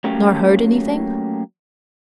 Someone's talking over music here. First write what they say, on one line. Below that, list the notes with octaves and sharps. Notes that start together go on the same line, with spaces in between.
"Nor heard anything?"
F#3 A3 A#3 C#4 G4